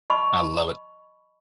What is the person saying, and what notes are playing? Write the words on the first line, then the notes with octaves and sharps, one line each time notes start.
I love it.
D#5 A5 B5 C#6